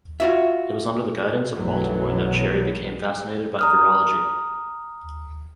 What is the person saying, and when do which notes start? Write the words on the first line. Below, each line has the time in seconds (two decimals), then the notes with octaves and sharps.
It was under the guidance of Baltimore that Cherry became fascinated by virology.
0.20 F4 F#4 E5
1.53 B1 F#2 E3 F#3 A3 B3
3.59 A#5 D#6 F6